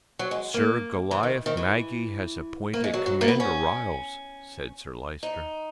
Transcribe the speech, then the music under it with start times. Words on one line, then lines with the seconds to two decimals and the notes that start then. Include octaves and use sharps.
"Sir Goliath Maggie has appointed Commander Ryles," said Sir Lyster.
0.19 F#3
0.31 G#3
0.54 A#3
1.11 E3
1.23 D#3
1.46 D#3
1.57 E3
2.74 A#3
2.84 G#3
2.94 F#3
3.06 F#3
3.21 A#3
3.28 B3
3.40 C#4
5.23 D#4